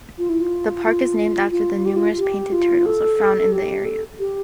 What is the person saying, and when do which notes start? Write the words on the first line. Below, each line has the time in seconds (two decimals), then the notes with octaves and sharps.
The park is named after the numerous painted turtles found in the area.
0.18 F4
0.29 E4
0.41 F4
0.85 F4
1.51 F4
1.86 G4
1.96 F4
2.18 G4
2.52 F4
2.86 A4
3.52 G4
3.85 A4
4.19 G4